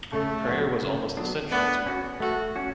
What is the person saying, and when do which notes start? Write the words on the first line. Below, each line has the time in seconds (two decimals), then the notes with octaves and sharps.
Prayer was almost essential to her.
0.12 C#3 A3
0.47 F#3 B3 D4
0.82 C#3
1.17 F#3 B3 D4
1.51 A3 B3 D4
1.86 C#4 F#4
2.20 A3 F#4 A4
2.56 C#4 F#4